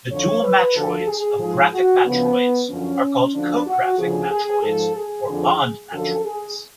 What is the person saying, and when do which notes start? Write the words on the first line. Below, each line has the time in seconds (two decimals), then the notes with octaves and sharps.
The dual matroids of graphic matroids are called co-graphic matroids or bond matroids.
0.11 F2 D3 F3 C#5
0.43 B4
0.75 D2 D3 F3 A4
1.08 G#4
1.40 G#2 F3 G#4
1.73 F#4
2.05 D2 C#3 F3 B3
2.69 F#2 D3 F3 C#4
3.35 D2 D3 F3 D4
3.66 F#4
3.98 D2 C#3 F3 G#4
4.31 G#4
4.63 G#2 F3 A4
4.96 G#4
5.29 F2 D3 F3
5.92 F#2 D3 F3 A4
6.25 G#4